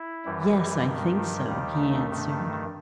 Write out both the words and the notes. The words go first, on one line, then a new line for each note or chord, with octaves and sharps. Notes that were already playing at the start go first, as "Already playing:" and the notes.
"Yes, I think so," he answered.
Already playing: E4
F#2 E3 G3
G2 D#3
D#2 D#3 G3
A3
G2 D#3